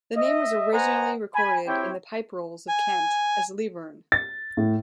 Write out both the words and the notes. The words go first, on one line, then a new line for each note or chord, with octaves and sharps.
The name was originally recorded in the Pipe Rolls of Kent as "Leburn".
D#5 E5
B4 C5 D#5 F#5 G#5 A#5
G#5 B5
C4 E4 G4 C#5 G5
G#5
A6
A2